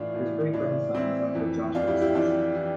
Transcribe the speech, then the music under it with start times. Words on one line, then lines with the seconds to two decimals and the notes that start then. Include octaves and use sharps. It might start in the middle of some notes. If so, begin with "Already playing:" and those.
His great-grandson is actor Joshua Sasse.
Already playing: A2 E3 D4 F4
0.14 A2 E3
0.53 A2 E3 D4
0.94 A2 E3 C4 E4
1.34 F2 E3
1.75 F2 E3 D4 F4
1.88 E4 G4
2.02 E4 G4
2.14 F2 E3 D4 F4
2.55 E3